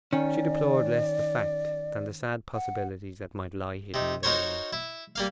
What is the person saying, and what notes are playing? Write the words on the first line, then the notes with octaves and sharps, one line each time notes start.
She deplored less the fact than the sad possibilities that might lie hidden therein.
D#3 C#4 D5
F#5
C3 D#4
D#4 F#4 A#4 C5 C#5
E4
G3 A#3 F5